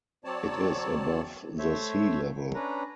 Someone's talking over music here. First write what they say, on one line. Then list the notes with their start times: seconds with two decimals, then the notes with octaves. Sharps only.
It is above the sea level.
0.25 F#3 C4 C#5 D5 A5
1.59 A3 C5 C#5 E5
2.54 C#4 D4 B4 A#5